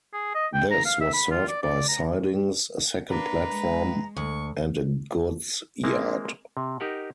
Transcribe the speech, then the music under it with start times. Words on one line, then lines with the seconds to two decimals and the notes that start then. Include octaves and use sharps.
This was served by sidings, a second platform and a goods yard.
0.13 G#4
0.35 D#5
0.54 G5
0.71 A#5
0.85 F5
1.00 E5
1.13 B5
1.31 F4
1.49 D5
1.63 D5
1.88 A#5
3.10 A#3 D4 B4 A#5
3.50 G#3
4.17 D2 C#6
5.84 G#3 A#3 C4 E4
6.57 C3
6.80 D#4 G4 A#4 F#5